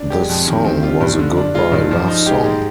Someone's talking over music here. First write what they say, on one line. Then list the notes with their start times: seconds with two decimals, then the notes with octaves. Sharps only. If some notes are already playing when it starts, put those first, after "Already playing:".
The song was a goodbye love song.
Already playing: D4
0.10 G#3 G4
0.29 F2
0.46 D#3
0.64 C4
0.83 G3 F4
1.00 G2
1.19 D3
1.37 D4
1.54 G#3 F4
1.72 G2
1.91 F3
2.08 D#4
2.26 G#3 G4
2.44 G#2